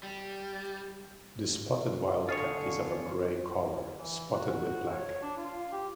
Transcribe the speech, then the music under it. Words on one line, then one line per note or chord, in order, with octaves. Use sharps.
The spotted wildcat is of a grey colour, spotted with black.
G3
D3 F4 G#4 C#5
E3
F#4
C#5
D4
F4
G4